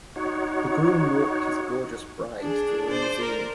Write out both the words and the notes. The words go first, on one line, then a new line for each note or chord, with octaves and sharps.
The groom walked his gorgeous bride to the limousine.
D#4 F#4 C#5
D4 G#4
C5 D5
A#4